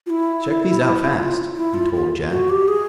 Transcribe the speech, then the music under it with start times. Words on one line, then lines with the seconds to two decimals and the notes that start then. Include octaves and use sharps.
"Check these out fast," he told Jack.
0.06 F4
0.10 E4
1.19 F4
1.56 E4
1.74 F4
1.94 F4
2.30 F#4
2.50 G4
2.68 G#4